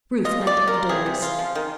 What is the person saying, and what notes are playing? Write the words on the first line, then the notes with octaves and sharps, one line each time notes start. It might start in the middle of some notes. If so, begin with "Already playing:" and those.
Ruth went indoors.
F4 D#5
F3
D5
F3
A#4
F4
C3 G#4
C3
F4
F3
D#3